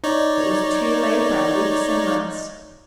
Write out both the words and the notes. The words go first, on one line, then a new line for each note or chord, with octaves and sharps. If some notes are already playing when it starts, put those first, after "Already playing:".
It was too late by weeks and months.
D#4 C#5 D5